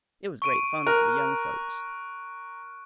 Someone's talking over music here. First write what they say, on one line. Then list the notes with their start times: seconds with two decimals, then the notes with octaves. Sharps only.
It was great fun for the young folks.
0.42 C#6 D7 D#7
0.87 A#4 F#6